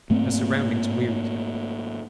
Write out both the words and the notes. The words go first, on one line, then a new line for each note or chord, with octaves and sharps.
Her surroundings wearied her.
G#2 A3 A#3 C4